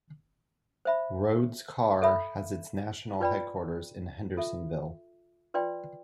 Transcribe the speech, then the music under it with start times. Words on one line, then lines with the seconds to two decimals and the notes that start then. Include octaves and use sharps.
Rhoades Car has its national headquarters in Hendersonville.
0.85 C5 E5 B5
2.02 A4 E5 B5
3.20 F4 B4 D5 G5 B5
4.37 F4 A4 E5
5.54 F4 B4 D5 G5 C6